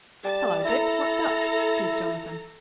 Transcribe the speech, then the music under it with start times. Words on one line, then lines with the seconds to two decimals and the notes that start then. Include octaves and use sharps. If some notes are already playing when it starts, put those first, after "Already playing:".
'Hello, Dick, what's up?' says Jonathan.
0.25 G3 A5
0.65 E4 A4 A#5